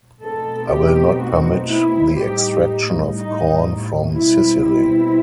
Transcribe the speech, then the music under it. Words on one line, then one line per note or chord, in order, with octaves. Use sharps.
I will not permit the extraction of corn from Sicily.
B2 A3 C4 D#4 A4
G4
F#4
E4
A2 G3 D#4 G4
D#4
B2 G3 C4 E4
E4